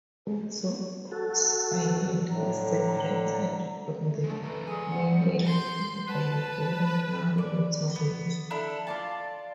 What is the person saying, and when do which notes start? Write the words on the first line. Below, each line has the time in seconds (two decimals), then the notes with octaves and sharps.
Also Ox Island is separated from the mainland only by a very narrow waterway.
1.11 F#4 A4
2.30 A2 D3 A#5
4.03 A3
4.24 D3 G#3 A3 D4 A4
4.43 F3 A3 A4 B4 A#5
4.67 G#4 D5 G#5
4.90 F4 F#5
5.12 F3 G3 C4 C#4
5.45 C6 G6
6.08 B4 A5
7.38 D5
7.96 B3
8.50 D4 E4 A4
8.87 F4 D5 A5